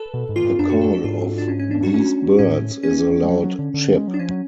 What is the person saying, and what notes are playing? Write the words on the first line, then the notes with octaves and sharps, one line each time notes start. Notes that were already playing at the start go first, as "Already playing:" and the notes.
The call of these birds is a loud "chip".
Already playing: A4 B4
B2
G#2
F4
G#2
F#2 D4
F#4
A4
A4
G#2 F4
D4
C#4
C#4
D4
F#4
C#4
A2 C#4
C#4
G#3
F#3
F#3
D3
D3
G#3
F#3
D4
F3 C#4
F#3